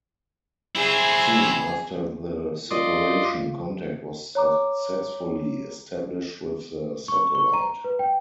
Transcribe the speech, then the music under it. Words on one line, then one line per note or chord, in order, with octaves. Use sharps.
Soon after the separation, contact was successfully established with the satellite.
C4 E4 G#4
F4 D5 D#5 C6
C#5 A#5 D6
C#6
C#6
A#5
B4
G5